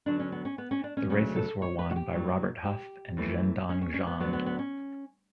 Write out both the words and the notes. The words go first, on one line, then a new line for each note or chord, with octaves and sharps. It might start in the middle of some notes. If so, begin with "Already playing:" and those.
The races were won by Robert Huff and Zhendong Zhang.
E2 D3 F#3 D4
C#4
B3
C#4
B3
C#4
D4
C#4
D2 C#3 F#3 A3 C#4
A4
C#5
B4
F#4
G4
G2 F#3 A3
G4
F#2 E3 A3
C#4
C#4
C#4
B3
D2 D3 F#3 B3
B3
B3
C#4